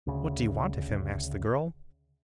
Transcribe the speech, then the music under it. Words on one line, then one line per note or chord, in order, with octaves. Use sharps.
"What do you want of him?" asked the girl.
D2 C#3